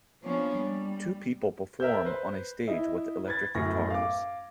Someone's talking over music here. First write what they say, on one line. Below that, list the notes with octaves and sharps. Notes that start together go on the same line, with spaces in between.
Two people perform on a stage with electric guitars.
F3 A#3 B3 C#4 D4
G3
A#4 E5 E6 G6
B4 C5
E4 D#5 E5
B4 G#6 A6
F#2 A2 B3 F#4 C#6 A#6
F5 D6